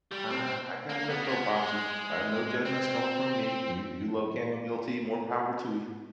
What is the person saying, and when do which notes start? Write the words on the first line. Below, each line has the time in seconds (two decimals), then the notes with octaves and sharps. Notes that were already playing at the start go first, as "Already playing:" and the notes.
Ah, I got no soapboxes. I no judgments coming from me, you you love chamomile tea, more power to you.
0.12 G3
0.30 C4
0.89 A#3
1.10 B3
1.23 A#3
1.29 B3
1.49 G#3
2.65 C4